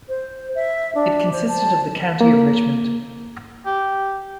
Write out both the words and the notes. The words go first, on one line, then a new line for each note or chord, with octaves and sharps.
It consisted of the County of Richmond.
C5
E5
D4
C5
A5
A#3
G4